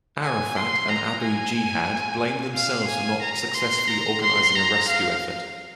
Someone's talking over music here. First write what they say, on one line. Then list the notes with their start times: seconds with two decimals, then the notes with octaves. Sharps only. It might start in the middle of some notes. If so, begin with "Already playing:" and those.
Arafat and Abu Jihad blamed themselves for not successfully organizing a rescue effort.
0.23 G#5
0.56 C6
0.89 A#5
1.23 G#5
2.56 F5
2.88 G#5
3.22 A#5
3.55 C6
3.88 A#5
4.22 C6
4.55 A#5
4.89 F5